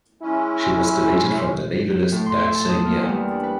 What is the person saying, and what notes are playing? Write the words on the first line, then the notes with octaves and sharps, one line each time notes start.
She was deleted from the Navy list that same year.
G#3 C#4 E4
A2
C6
E5
A5
D#6
A#3
E2
G3
D4
B4